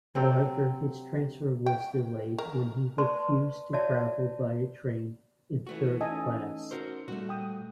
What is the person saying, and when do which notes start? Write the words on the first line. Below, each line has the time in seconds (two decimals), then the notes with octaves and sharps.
However, his transfer was delayed when he refused to travel via train in third-class.
0.15 C3 F#3 C4 A4
1.66 G5
2.38 A#4
2.98 B4 C5 D5 A5 C6 C#6
3.73 F#4 C#5 D5 E5 A5
5.67 E3 A3 F#4
6.01 C#4 D#4 D#5 G#5 A5 E6
6.71 F#4 A#4 C5
7.08 A#2 G3 A3 F#4
7.29 G5 D#6